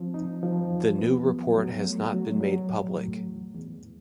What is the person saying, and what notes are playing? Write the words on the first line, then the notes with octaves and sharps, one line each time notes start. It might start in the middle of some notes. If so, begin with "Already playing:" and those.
The new report has not been made public.
Already playing: F3 C4
D#4
F3
E2
B3
F#3
F#3
A3
F#3
F#3
A2
A2
E2
E2